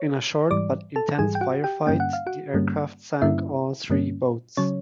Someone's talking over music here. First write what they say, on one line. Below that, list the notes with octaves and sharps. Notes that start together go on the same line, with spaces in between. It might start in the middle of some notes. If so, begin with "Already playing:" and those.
In a short but intense firefight, the aircraft sank all three boats.
Already playing: C#5
G#2 E3 G3 D5 D6
A4 A5
G#2 E3 G3 G#4 G#5
G5
F#4 F#5
G4 G5
G2 D3 G3 A#3 C#4 G5
F#5
F5
F#4 F#5
G2 D3 G3 A#3 C#4
G2 D3 G3 A#3 C#4 E4 E5
G2 D3 G3 A#3 C#4
C#3 F#3 C#4 C#5